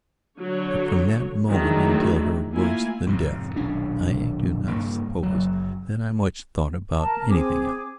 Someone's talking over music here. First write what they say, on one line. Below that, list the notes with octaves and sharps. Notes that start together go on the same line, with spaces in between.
But, from that moment until her worse than death, I do not suppose that I much thought about anything else.
D3 F#3 C#5
D#3 F#3 G#3 A3 D4 E4
A3 A#3 E4 F4 G#5
F2 G#2 C3
D#1 B1 C#4 D4
G2 C#3 A#3
F#1 F#3
A#4 A5
C4 G#4 D6